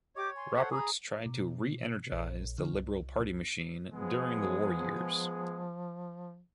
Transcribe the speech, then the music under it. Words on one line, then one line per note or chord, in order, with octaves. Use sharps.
Roberts tried to re-energise the Liberal Party machine during the war years.
G4 C#5 D#5 D6
G#5 C6
A4 C5 C#5 E5 F#5
G#4 A#5 B5
B2
A#1
D3
C2
F3 G#3 B3 G#4